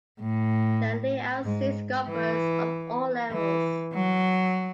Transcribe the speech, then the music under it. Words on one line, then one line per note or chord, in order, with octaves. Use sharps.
The layout suits golfers of all levels.
A2
G#2
E3
E3
F#3